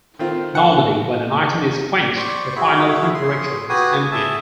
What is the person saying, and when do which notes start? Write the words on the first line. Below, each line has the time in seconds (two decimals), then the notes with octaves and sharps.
Normally, when an item is quenched, the final temperature is ambient.
0.19 D#3 C4 F4
0.55 F#5 C6
2.16 C5 D5 C#6
2.56 E4 F#4 G#4 B5
3.14 G#4 C6
3.69 F#4 G4 B4 G#5 D#6
4.11 G#4 E5 A5